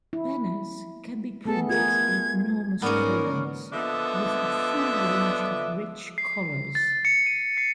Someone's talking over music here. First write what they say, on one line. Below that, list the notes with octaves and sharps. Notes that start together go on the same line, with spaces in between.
Banners can be printed in enormous formats, with a full range of rich colors.
E4
A3 B3 G#4 A4
F4 G#4 A#4 G#6
G#2 A#3 B3 C#4 A#4 D5
D3 F3 B3 D4 D#5 E5
C7
A6
C#7
D#7
C7